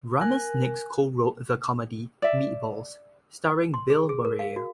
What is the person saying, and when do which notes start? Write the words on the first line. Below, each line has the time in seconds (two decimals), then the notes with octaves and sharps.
Ramis next co-wrote the comedy "Meatballs", starring Bill Murray.
0.21 A#4 G#5 F#6
2.22 D5 E5
3.74 C6
3.90 G#4
4.09 G#4
4.25 A#4
4.39 F5
4.56 F#4